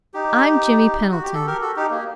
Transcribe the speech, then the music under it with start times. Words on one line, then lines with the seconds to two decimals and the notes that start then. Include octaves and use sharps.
I'm Jimmy Pendleton.
0.14 D#4 G4
1.11 F#4
1.23 G4
1.34 A4
1.47 G4 A#4
1.61 F#4 A4
1.76 D#4 G4
1.91 A#3